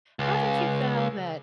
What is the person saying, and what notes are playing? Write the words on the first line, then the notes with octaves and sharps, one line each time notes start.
haven't you found that,
C#2